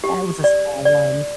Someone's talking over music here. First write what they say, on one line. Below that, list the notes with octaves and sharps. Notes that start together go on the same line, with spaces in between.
Yeah, it was a small one.
G4
D5
D5